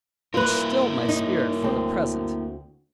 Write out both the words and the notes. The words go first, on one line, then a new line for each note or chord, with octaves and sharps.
Which stilled my spirit for the present.
A#3 E4 F4 A#4 B4
D#4
D2 C4